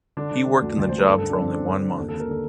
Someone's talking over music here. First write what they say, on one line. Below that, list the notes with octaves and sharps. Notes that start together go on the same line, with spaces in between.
He worked in the job for only one month.
D3 D4
D3
D3
D2
D2 D5
D2 C5
A#4
G2 A4
A4
D3
D4
G2 C4
G2 D4
G2
D3
D#2 A4
A4
D#2
A#4
D3 A4